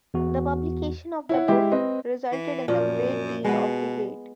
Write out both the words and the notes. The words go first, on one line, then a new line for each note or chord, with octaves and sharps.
The publication of the book resulted in a great deal of debate.
E2 F#4
E4 C#5 F#5
G#3 E4 G4 E5
C4 B4 C5 D#5
E3
F#2 A#2 F3
B2 G#3 B3